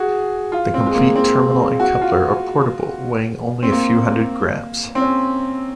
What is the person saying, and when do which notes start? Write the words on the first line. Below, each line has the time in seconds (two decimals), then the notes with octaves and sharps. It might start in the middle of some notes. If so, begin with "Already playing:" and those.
The complete terminal and coupler are portable, weighing only a few hundred grammes.
Already playing: F#4 G#4
0.52 F4
0.74 C4
0.86 G#3
0.95 A#3
1.16 C4
1.80 F#4
2.02 F4
3.63 C4
3.72 A#3
4.95 C4
5.01 C#4